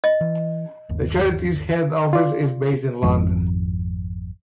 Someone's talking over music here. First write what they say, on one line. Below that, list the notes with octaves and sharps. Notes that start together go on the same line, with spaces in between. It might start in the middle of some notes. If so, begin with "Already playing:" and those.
The charity's head office is based in London.
D#5
E3
G1 D#2
F4 D5
G#1 F2